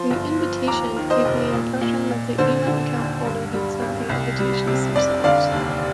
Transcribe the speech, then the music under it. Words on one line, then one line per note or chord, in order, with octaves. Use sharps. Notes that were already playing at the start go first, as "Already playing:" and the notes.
The “invitation” gave the impression that the email account holder had sent the invitation themselves.
Already playing: F3 C6
G1
F3
D#2 A#5 D6
D#3
C5 D#5
F1
A#2
A#2
A#2
D3 C5
D3
D#2
G2
G3
G#1
C2
G3
C3
F1 D5
D3 D5 F5
D#2